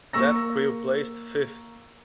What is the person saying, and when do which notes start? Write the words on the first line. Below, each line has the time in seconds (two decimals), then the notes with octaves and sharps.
That crew placed fifth.
0.13 A#3 C#6 E6 A#6